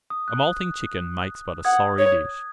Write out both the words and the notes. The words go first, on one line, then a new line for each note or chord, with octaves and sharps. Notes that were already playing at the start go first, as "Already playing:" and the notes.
A moulting chicken makes but a sorry dish.
D#6
F#6
F#5 D#6 G#6
C#5